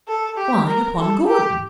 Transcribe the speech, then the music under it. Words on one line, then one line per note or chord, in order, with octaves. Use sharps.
"Why upon Gordon?"
A4
G4
A#4
A4
G4